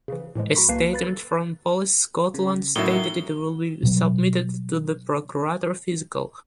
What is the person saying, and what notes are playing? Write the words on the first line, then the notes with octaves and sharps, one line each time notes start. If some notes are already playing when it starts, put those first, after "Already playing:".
A statement from Police Scotland stated it would be submitted to the Procurator Fiscal.
C#3 E3
A2 E3 F3 G#3
F#4 A#5 B5 C#6 B6
C2 A#3 B4 A5 C7
B4 B5 A6
A4
C#3
A2 F#3 C#4 D#4 A#4 E5 G7
B2 F#3 G3